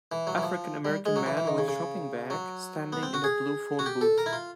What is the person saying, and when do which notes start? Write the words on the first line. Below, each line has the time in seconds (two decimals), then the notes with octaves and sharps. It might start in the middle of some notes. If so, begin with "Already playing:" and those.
African American man with shopping bag standing in a blue phone booth.
0.12 E3
0.27 F#3
0.38 E3
0.43 F3
0.85 G3
1.06 G#3
1.16 F#3
1.26 E3
1.37 E3
1.47 D#3
1.58 C#3
1.68 C#3
2.30 F#3
2.93 B3
3.03 C4
3.14 F#4
3.24 G#4
3.79 F#4
3.86 G4
4.01 A4
4.18 A#4
4.26 E4
4.33 F4